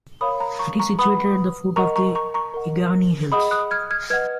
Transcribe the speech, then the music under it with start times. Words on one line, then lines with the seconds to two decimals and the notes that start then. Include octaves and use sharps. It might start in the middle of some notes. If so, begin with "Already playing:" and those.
It is situated at the foot of the Euganei Hills.
0.21 A#4 C#5 F5 B5 D#6
0.40 A#5
0.59 A#5 C#6
0.79 A#5 C#6
0.99 B4 F#5 B5 D#6
1.76 A#4 D#5 F#5 A#5 C#6
1.96 A#5 C#6
2.15 A#5 C#6
2.34 A#5 C#6
2.54 A#4 D#5 F#5
3.32 G#4 D#5 F#5 B5 D#6
3.51 D#6 F#6
3.71 F6 G#6
3.91 F6 G#6
4.10 B4 D#5 F#5 F6 G#6